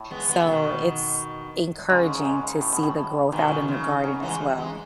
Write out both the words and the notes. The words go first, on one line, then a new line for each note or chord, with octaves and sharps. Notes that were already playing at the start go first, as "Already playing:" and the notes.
So, it's encouraging to see the growth out in the garden as well.
Already playing: A2
G#3 B3
G#3 B3
B2 D#3
G#2 C#3
F#2
G#2
A2
B2
A2
G#2 B2 D#3
F#2
G#2
B2
C#3
F#2 C#3
F#2 E3 G#3
G#2
G#2
E3 G#3